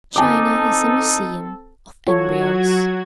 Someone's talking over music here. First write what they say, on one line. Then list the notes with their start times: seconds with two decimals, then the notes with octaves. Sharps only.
China is a museum of embryos.
0.16 C4 D#4 A4 G#5 A5 D6
2.07 F#3 F4 F#4 A4 C#5 G#6